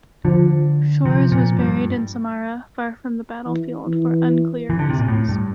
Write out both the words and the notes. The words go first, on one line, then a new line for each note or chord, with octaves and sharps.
Shchors was buried in Samara, far from the battlefield, for unclear reasons.
D3 F3
C3 F3
A#2
G2
E3
E3
E3
D3
C3
A#2
A2
G2